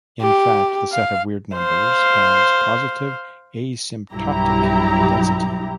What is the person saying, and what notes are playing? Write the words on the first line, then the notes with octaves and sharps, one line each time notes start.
In fact, the set of weird numbers has positive asymptotic density.
G4
F5
C5 F5
B1 G2 F#3 E4 G4 A#5